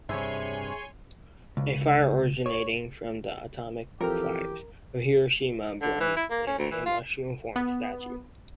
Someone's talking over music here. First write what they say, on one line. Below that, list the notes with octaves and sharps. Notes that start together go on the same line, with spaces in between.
A fire originating from the atomic fires of Hiroshima burns in a mushroom-formed statue.
G2 C3 G#4 C#5 E5 G#5 C6
C#2
C#5
E3 F3 C4 G4 A4 A#4 F6
D3
E3
E4
A#3
C#4
D2
E3
F4
B3